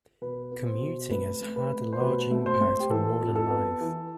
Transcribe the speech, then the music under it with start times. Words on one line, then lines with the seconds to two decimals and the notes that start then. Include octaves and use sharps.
Commuting has had a large impact on modern life.
0.21 B2 B4
0.52 B3
0.66 C5
0.81 B2
1.11 A3 B4
1.41 A3
1.56 B4
1.72 A3
1.93 C5
2.00 B2 B4
2.31 A3
2.46 C5
2.61 A3
2.80 G4
2.91 E3 A4
3.21 F2
3.35 A4
3.50 B3
3.81 E3